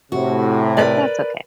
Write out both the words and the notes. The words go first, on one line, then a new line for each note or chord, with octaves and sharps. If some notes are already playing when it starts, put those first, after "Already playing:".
But that's okay.
A2 C3 F#4
A#4 B4 D5